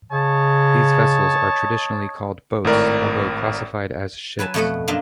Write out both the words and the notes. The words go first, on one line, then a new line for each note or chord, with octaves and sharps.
These vessels are traditionally called boats, although classified as ships.
C#3 C#5 D#5 A5
G#1 A2 A#4 D5
F#3 B4 G#5 A5
F2 B2 A3 D#5 F#5
F#2 A#3 D4 F4 D#5 E5